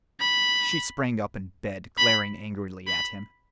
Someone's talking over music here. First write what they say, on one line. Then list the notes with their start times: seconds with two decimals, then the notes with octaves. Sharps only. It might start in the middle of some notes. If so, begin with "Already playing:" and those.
She sprang up in bed, glaring angrily at him.
0.20 B5
1.98 B5
2.87 B5